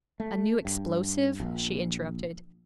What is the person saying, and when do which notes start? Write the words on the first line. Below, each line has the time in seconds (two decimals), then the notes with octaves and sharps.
'A new explosive?' she interrupted.
0.20 A3
0.65 G2
1.40 A#1